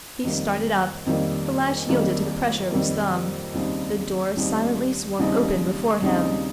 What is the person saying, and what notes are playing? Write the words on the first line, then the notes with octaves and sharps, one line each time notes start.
He started up, the latch yielded to the pressure of his thumb: the door silently swung open before him.
F2 D#3 G3 A#3
F2 D#3 G3 A#3
F2 D#3 G3 A#3
F2 D#3 G3 A#3
D#2 C#3 G3 C4 D#4
D#2 C#3 G3 C4 D#4
D#2 C#3 G3 C4 D#4
D#2 C#3 G3 C4 D#4